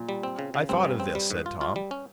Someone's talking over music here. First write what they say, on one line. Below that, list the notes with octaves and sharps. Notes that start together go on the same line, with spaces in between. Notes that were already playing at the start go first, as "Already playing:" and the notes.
"I thought of this," said Tom.
Already playing: A#2
G3
C4
C#3
C#3
G2 C4
C#3
C4
G3
G#2
F4
F4
G3
C#4